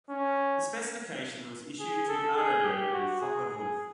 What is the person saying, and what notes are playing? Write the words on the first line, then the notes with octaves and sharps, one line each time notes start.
The specification was issued to Arado and Focke-Wulf.
C#4
G#4
A4
G#4
G4
F#4
G#4
G#4